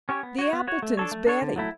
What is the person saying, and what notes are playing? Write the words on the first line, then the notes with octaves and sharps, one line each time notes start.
The Appletons' Betty.
C#4 G4 C#5
B3
F#4 C#5
B3
F#4 C#5
A3
D4 A4 C#5
A3
D4 A4 C#5
D3
F#3 A3 E4